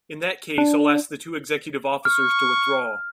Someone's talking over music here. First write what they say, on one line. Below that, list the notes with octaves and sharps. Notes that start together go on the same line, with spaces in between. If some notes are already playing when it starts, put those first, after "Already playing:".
In that case I'll ask the two executive officers to withdraw.
D4
C#6 F6